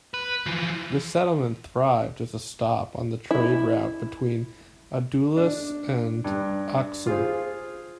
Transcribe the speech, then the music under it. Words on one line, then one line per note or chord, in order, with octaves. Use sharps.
The settlement thrived as a stop on the trade route between Adulis and Aksum.
B4
E3 F3
E4
D4
G2
F4 G#4 C5